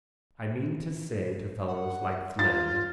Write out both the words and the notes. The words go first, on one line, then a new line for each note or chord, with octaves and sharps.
I mean to say to fellows like Flynn.
F#5
F4 A6